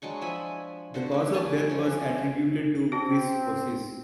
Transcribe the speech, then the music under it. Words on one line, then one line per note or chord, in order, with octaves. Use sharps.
The cause of death was attributed to cirrhosis.
F#3 G#3 D4 C#6
F3 E5 G#5 B5
D3 F#4 C5
A#3 C#4
B4 D5 G#5 A5
C#3 F3 G#3
C4 C#4 F#4